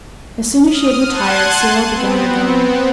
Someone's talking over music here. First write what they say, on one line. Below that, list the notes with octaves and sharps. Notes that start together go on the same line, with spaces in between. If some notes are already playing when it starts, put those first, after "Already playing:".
As soon as she had retired, Cyril began again.
D#6 F6
F#5 A5 C6 F#6 G#6 D#7
B3 C4